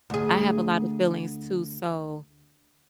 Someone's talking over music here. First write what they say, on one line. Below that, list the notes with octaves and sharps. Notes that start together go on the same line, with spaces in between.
I have a lot of fillings too, so,
D2 G#4